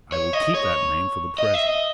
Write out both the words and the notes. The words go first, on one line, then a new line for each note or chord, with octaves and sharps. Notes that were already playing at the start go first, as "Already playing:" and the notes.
I will keep that name for the present.
C#5
D#5
C#5
D#5
E5
D#5